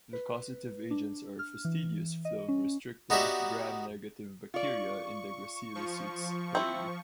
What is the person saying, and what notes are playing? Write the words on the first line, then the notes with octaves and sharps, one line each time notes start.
The causative agents are fastidious phloem-restricted, Gram-negative bacteria in the gracilicutes clade.
B4
D4
F6
E3
D#5
C#4
B3 D#4 F#4 G4 D5 E5
F4 D5 C#6
F3 C#6
C4 E4